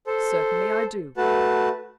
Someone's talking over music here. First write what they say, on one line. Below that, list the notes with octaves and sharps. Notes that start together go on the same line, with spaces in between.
"Certainly I do."
A4 C5
A3 F#4 B4 A5